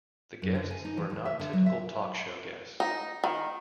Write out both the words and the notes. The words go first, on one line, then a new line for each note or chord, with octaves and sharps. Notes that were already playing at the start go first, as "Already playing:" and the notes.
The guests were not typical talk show guests.
F#2
D3
G#5
D#4
E3
D2
E5
D3
F#3
E5
D#4
D#3